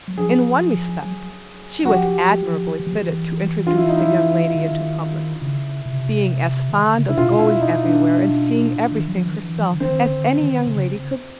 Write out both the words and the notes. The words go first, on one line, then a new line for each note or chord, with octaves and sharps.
In one respect she was admirably fitted to introduce a young lady into public, being as fond of going everywhere and seeing everything herself as any young lady could be.
F#3
F3 G#4
F#3
F#4
F3 G4
E3
F3
E3
F4
E4
D#4
E4
D#3
C#3
C3
D#3
D3
C#3
C3 E4
B2 F4
E4
D#4
D4
D#3
F#3
F3
D#3
E3
F3
D3
D#3 C4
D3
D#3
D3
C#3